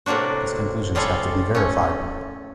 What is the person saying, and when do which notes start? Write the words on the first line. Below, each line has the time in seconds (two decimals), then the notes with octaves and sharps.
These conclusions have to be verified.
0.06 A2 C3 A#3 D4 F#4
0.95 A2 G3 F4 G#4 A4
1.55 A3 C#4